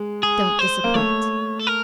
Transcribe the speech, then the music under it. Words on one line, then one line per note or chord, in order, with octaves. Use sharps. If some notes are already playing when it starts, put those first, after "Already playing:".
Don't disappoint.
Already playing: G#3
G#4
C5
A#3
A3 C#5
A4
A#4